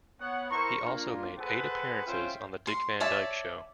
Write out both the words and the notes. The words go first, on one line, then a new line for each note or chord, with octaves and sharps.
He also made eight appearances on the "Dick Van Dyke Show".
B3 C#5 F#5
E4 A#4 C5 A#5 C#6
A#3 D4 F4
G#4 A4 B4 C5 F#5 G5
C#4 F4 C5 E5 F5 G5
C6
C#5 D5 E5 A5